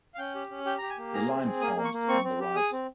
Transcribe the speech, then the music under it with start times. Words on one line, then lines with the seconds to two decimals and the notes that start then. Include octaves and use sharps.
The line forms on the right.
0.14 F5
0.18 C#4 G5
0.35 G4
0.51 C#4
0.66 G4 G5
0.78 G4 A#5
0.90 G#5
0.98 A#3
1.13 G#4 A#5
1.30 C4
1.45 G#4
1.61 A#3 D#6
1.77 A#3
1.85 C#6
1.93 A#3
2.09 C4 C#6
2.24 C4
2.40 G4
2.56 G#4 D#6
2.72 C4